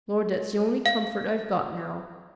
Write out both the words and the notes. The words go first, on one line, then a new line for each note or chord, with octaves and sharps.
Lord, that's the only comfort I've got now!
F5